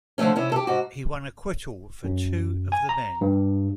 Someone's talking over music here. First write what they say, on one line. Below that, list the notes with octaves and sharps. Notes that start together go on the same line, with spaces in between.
He won acquittal for two of the men.
D3 F3 F#3 A3 C#4
C3 C#4 E4
G4 A4
G#2 F#4
F#2
G#5
A#5
G2